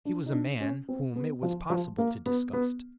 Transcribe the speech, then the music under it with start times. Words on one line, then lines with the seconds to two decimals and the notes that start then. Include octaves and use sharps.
He was a man whom it was possible to disgust.
0.05 D4
0.26 D#4
0.33 D4
0.60 C#4
0.89 C4
1.16 B3
1.43 F3
1.70 F3
1.98 A#3
2.26 B3
2.53 B3